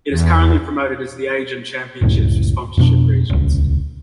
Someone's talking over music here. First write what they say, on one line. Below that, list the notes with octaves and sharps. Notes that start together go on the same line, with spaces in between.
It is currently promoted as the Aegon Championships for sponsorship reasons.
E2
F#1 C#2 A2
F2 B2 D4
D#1 C#2